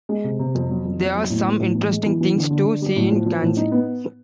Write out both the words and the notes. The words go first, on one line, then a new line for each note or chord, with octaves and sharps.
There are some interesting things to see in Ghanzi.
G#3
C3
C3
F2
F#3
F2
F2
F#3
A2
B3
A2
E3
G#3
E3
E3
D3
D3
D3
G3
A2
F3
F3
A2
D#4
B3